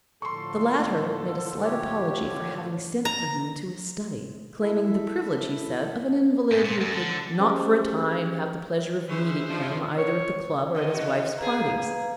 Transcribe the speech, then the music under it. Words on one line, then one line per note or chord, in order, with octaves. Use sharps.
The latter made a slight apology for having sent for him to his study--claiming the privilege, he said, of an invalid, who could not for a time have the pleasure of meeting him either at the club or at his wife's parties.
A2 D3 F3 A4 C6 C#6
G4 C#5
A#5
E4 A4 E5
G#2
A#2
F#2
D3
C#4 G4 G#4 C5 D#5
C#3 F3 C#4 G#4 B4 C5 E5
F3 D4 D#4 F4
C#5
D#2 D3 D#5
C3 E4 F#4 D#5
B2 G#4 B4 F5 A#5